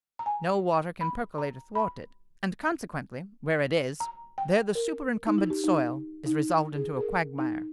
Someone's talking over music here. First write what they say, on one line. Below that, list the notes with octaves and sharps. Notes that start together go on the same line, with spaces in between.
No water can percolate athwart it, and consequently where it is, there the superincumbent soil is resolved into a quagmire.
A#5
G#5
B5
A#5
B5
A#5
G5
A#4
D#4
E4
G4
D#4
E4
D#4
E4
G#4
G#4
A#4
D#4